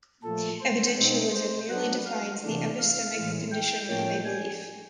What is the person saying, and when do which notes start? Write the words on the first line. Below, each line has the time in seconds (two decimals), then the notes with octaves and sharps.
Evidentialism merely defines the epistemic condition of a belief.
0.23 A#2 F3 A3 A4
0.61 C5
0.97 B2 G#3 C4 D#4
1.33 C5
1.69 F#3 B3 D4 F#5
2.06 F5
2.43 C3 E3 A3 D4
2.79 F5
3.15 A2 E3 G#3
3.52 G5
3.88 A2 F3 A#3 C#4 G5
4.25 G#5